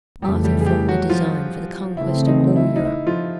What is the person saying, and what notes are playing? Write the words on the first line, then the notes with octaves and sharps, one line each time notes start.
Arthur formed a design for the conquest of all Europe....
F2 C#3 E3 G3 A3 G4
G3 G4
G#4
G3 G4
F#3 F#4
F3 F4
C#3 E3 A3 C4 E4
D#4
E4
D#4
E4
F3 F4